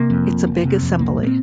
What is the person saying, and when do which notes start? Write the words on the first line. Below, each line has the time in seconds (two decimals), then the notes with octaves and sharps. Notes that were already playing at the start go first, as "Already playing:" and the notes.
It's a big assembly.
Already playing: C3 A#3
0.10 F2
0.28 F1
0.47 F1
0.64 C3
0.82 F2
0.99 C2 A#3
1.17 A#2
1.23 A#3
1.27 C4